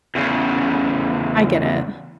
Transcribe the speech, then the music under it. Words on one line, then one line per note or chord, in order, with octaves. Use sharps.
I get it.
E2 C#3